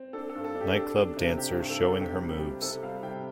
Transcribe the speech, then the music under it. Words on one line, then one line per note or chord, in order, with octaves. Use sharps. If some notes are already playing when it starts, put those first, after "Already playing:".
Nightclub dancer showing her moves.
Already playing: C4
D4 A4
A4
G2
A4
D4
G4
D4 A4
D4
C3
D4 G4
G2
A4
D4
C3 G4
G3
G4
C4
C3 A4
G3 F5
C3 G5